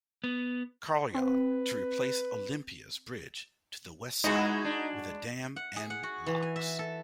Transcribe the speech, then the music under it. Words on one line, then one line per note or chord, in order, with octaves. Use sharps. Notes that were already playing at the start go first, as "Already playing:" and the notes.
Carlyon to replace Olympia's bridge to the westside with a dam and locks.
B3
C4 B4
G#3 B3 D#4 E4 F#4 G#4 D#5
D4
F#5
G#4
F#5
F#4
E3
G#5
E5
A4